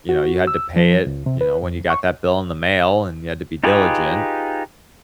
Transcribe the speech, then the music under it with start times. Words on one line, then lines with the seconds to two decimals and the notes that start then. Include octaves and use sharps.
You know, you had to pay it, you know, when you got that bill in the mail, and you had to be diligent.
0.09 F#4
0.47 E6
0.76 F3
1.07 C#2
1.26 C3
1.41 B4
1.63 F2
1.90 C#6
3.64 D#4 F4 G4 G#4 B4